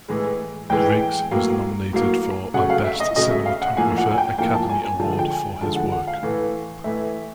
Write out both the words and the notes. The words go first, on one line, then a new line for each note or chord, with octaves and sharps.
Griggs was nominated for a Best Cinematographer Academy Award for his work.
A2 E3 G#3
A2 E3 G#3 G5
A2 F#3 A#3
A2 F#3 A#3
C#3 F#3 A3 F#5
F5
E5
D#5
C#3 F#3 A3 D#5
E5
F5
F#5
A2 F3 A#3 G#5
F#5
G#5
G5
A2 F3 A#3 G5
A5
G#5
G#5
D3 F3 G#3 A5
G5
G#5
D3 F3 G#3 A5
F#5
F#5
F5
A2 E3 A3
A2 E3 A3 E5